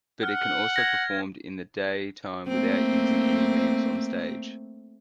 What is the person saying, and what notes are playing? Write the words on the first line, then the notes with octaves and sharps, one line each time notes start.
But it can also performed in day time without using any lamps on stage.
F#5 F6
G#6 A#6
A3 A#3 C4